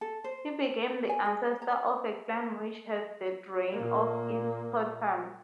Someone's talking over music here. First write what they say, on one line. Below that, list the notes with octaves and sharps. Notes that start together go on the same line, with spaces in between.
He became the ancestor of a clan which has the rain for its totem.
A4
C5
G#5
G#4
A#5
A#2 A#3